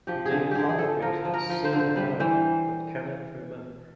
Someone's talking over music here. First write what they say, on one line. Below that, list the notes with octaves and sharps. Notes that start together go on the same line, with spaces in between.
The "half-wit" has seen the murder, but cannot remember.
F3 G4
G#4
D3 G4
D3 G4 G#4
G#4
F3 A4
F3 A#4
F3
A#4
F3
C5
D3
C5
G3 B4
E3 C5